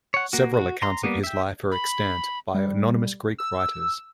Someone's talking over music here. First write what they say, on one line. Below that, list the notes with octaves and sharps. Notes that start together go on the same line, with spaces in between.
Several accounts of his life are extant, by anonymous Greek writers.
C#5 F#5
A#3 F#4
F#4
A#5 C6
G3 A#3 B3
E5 G5
B5
G3
E6